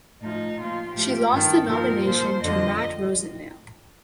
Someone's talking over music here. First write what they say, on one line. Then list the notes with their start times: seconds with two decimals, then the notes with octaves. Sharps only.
She lost the nomination to Matt Rosendale.
0.21 A2 F3 D#4
0.58 A#2 F3 F4
0.95 A2 F3 G4
1.31 G2 D#3 A4
1.68 A#2 F3 A#4
2.05 A#2 F3 C5
2.42 F2 D3 F3 D#5